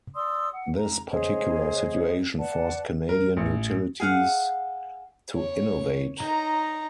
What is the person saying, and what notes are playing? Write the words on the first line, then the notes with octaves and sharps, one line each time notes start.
This particular situation forced Canadian utilities to innovate.
D5 C6 D#6 E6
F#5
A#5
G#4 C5 C#5 D#5
B4 D5 F#5 A5
A#4
A1
G#4 F5 F#5
C#5
D#4 A#5